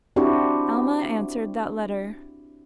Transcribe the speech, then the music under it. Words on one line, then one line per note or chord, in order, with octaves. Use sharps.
Alma answered that letter.
C4 D4 E4 F#4 G4